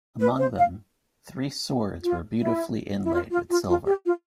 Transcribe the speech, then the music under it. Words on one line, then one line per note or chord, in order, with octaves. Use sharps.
Among them, three swords were beautifully inlaid with silver.
B4
C5
F5
F4
E4
E4
F4
F4
F4
F4
G4
F4